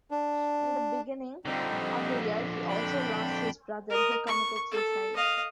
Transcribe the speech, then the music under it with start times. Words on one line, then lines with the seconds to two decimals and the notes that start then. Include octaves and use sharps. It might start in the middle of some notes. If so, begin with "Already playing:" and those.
In the beginning of the year he also lost his brother, who committed suicide.
0.11 D4
1.45 F2 D3 G3 C4 D#4
2.69 D4 G5 B5
3.89 A#4 D#5
4.27 C#6
4.71 A4
5.16 D#5 F5